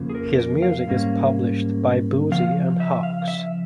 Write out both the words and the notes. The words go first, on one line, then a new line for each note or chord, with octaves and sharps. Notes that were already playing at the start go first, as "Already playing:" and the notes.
His music is published by Boosey and Hawkes.
Already playing: F2 C#3 F3 A#3
G#4
A#4
A#4
F5
G#2 G3 A#3 C#4
C#3 F3 F5
E5
F5
E5